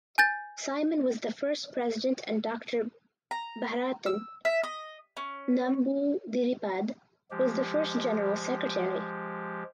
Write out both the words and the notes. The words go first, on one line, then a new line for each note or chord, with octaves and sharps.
Simon was the first president and Doctor Bharathan Namboodiripad was the first General Secretary.
G#5 G6 A6
A#5
E6
E5
D#5
C#4
F3 G#3 G4